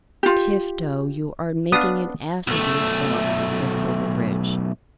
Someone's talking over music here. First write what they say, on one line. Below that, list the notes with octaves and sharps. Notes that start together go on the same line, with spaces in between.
"Tifto, you are making an ass of yourself," said Silverbridge.
F4 G4
B3 D4 F5 D#6
B1 A3